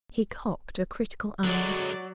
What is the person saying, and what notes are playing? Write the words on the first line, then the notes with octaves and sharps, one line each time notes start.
He cocked a critical eye.
D3 F#3 G#3 D5